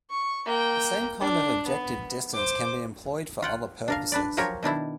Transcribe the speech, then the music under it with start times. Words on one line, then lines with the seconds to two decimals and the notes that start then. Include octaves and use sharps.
The same kind of objective distance can be employed for other purposes.
0.10 C#6
0.45 A#3 G5
1.21 D4
1.67 B3
2.34 C5 D6
3.42 F4 F#5 G5
3.88 D4 A#4 F5
4.12 D4 B4 D5
4.37 F3 F#3 G4 A#4 C#5
4.63 B2 D#3 D4 E4